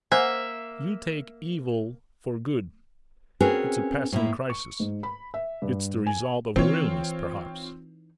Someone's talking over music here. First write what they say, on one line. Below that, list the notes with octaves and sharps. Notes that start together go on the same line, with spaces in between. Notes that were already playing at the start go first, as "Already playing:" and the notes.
"You take evil for good; it's a passing crisis, it's the result of your illness, perhaps."
A#3 C5 E5 F#5 G#5
C4 C#4 F#4 G#4 A#4 B4
A2 A#3 E4
C#6
G#2
B5
E5
G2
G#5
E3 C4 D#4 F4 C#5